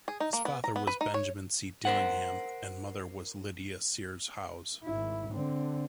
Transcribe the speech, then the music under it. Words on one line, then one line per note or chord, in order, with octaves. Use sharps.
His father was Benjamin C. Dillingham and mother was Lydia Sears Howes.
G#4
D#4
A#3
B3
A#5
B3
B4
D#4
C#5
A#4 C5 F#5
G#1 E4
D3 C4